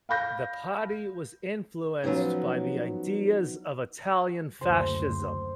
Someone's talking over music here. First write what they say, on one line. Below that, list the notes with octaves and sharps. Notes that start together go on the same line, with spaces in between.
The party was influenced by the ideas of Italian fascism.
F5 B5 G6 A#6
F3 F#3 B3 C#4 D#4
F#1 D2 C5